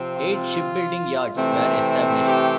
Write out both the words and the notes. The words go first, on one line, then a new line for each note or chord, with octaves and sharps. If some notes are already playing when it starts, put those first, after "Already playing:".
Eight shipbuilding yards were established.
Already playing: C3 F3 C4
F4
C3 E3 A3 C4
G4